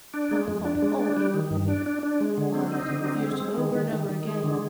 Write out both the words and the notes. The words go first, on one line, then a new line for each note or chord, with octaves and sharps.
Papa thought all evil of him. Violet had refused him over and over again.
D4
G#3
F2
D4
G#3
D4
G3
D#3
G2
D4
D4
D4
G#3
D3
C4
D#4
D3
C4
G#3
G#3
D#3
D#3
D#3
D#3
G#3
D3